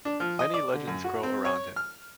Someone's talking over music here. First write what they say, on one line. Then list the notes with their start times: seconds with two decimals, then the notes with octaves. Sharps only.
Many legends grow around him.
0.05 D4
0.20 F3
0.39 D#5
0.54 D5
0.74 D3
0.87 F#2
1.04 F#4
1.23 C4
1.45 C#5
1.76 F6